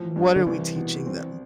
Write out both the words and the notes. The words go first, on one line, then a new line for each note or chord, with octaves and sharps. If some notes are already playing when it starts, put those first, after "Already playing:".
"What are we teaching them?"
Already playing: A2 F3
G2
D3
C2 E3
B2
C4